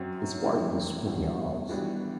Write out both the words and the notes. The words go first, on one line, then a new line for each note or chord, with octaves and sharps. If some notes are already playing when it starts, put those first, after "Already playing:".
It’s quite the spooky house.
Already playing: F#2 F#3 C4
A2 E3 G3 C4 E4
G2 F#3 B3
E3 G3 B3 D4 F#4